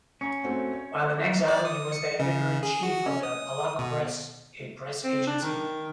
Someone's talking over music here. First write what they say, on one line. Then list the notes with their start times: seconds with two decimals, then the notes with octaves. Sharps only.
While in exile he was the editor-in-chief of the "Palach Press", a press agency.
0.21 C#4 A#5 C#6
0.44 A3 C4 F#4
0.73 C#5
1.48 D5
1.65 D#6
1.92 C#7
2.19 C#3
2.63 G#4
2.83 F#4
3.06 C#4
3.23 D#6
3.79 B2
5.04 C4
5.27 D4
5.42 D#3